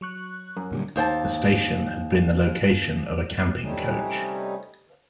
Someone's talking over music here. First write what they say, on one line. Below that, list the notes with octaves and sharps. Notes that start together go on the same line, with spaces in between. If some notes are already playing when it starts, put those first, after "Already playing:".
The station had been the location of a Camping coach.
F#3 C#6 F#6
F#2 A#4
A#2 D3 G3
D#2 C5 G5 A5
C3 G3 A3 C#4 D#4